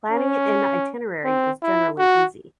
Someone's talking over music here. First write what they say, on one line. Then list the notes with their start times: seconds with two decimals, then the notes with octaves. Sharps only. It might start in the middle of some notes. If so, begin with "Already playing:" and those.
Planning an itinerary is generally easy.
0.11 C#4
1.24 C4
1.62 E4
1.98 F#4